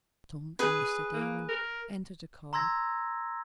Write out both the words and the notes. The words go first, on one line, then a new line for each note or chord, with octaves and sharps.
Tom and Mr. Damon entered the car.
G#4 B4
A#3
A#4
A#5 C6 E6 G#6 A#6